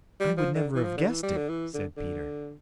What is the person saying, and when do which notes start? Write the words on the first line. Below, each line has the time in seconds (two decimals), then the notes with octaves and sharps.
"I would never have guessed it," said Peter.
0.20 G3
0.37 F3
0.54 D3
0.75 E3
0.84 F3
0.97 D3
1.09 E3
1.23 G3
1.37 D3
1.49 E3
1.74 D3
1.97 D3